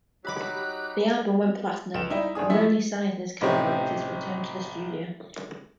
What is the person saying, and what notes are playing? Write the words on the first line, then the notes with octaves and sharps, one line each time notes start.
The album went platinum, and Roni Size and his collaborators returned to the studio.
F#3 D#4 G4 B5 D6 F#6
C#2 E7
G3 D#4 E4
G#1 D4 G#4 D#6
F3 A3 E4 E5
A1 C3 D#4 G4 C#5